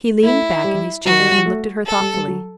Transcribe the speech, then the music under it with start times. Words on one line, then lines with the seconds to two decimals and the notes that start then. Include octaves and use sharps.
He leaned back in his chair and looked at her thoughtfully.
0.23 A3 E4
0.64 G3
1.05 F#3 F#4
1.19 G3
1.32 G3
1.46 A3
1.87 A4
2.00 G3
2.14 G3
2.28 F#3